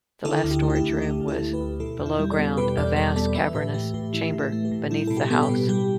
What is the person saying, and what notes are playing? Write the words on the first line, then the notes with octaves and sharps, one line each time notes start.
The last storage room was below ground, a vast, cavernous chamber beneath the house.
D3 E4 A4
D2
G4
A3
G4
E4
D2
D3 G4
D2
E4 A4
A3
G4 B4
D2
B2 E4 A4
E2
E4
G3
A4 D5
B3
B2 G4 B4
E2 A4 D5
G3 A4 D5
B3 A4 D5
E3 B4 E5
A2 G4 B4
A3 G4
A2 G4
E3 E4
A2
E4
A3
G4
A2
G3 E4
B2 A4
G4
B3 A4
G4 B4
B2
G3 G4